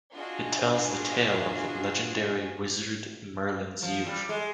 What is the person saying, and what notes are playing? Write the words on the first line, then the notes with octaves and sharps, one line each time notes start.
It tells the tale of the legendary wizard Merlin's youth.
D4 F4 F#4 G#4 D#5
F3
G3
G#3